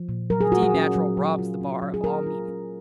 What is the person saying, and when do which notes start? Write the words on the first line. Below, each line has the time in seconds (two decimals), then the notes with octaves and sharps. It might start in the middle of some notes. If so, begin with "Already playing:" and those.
The D natural robs the bar of all meaning.
Already playing: F3
0.09 A#2
0.30 F#3 A#4
0.41 G#4
0.52 F4 F#4
0.63 G#4
0.74 C#4
0.95 F#3
1.17 F#3
1.39 F4
1.61 C#4
1.82 F#3
1.94 G#4
2.04 F#3 A#4
2.26 F4
2.48 C#4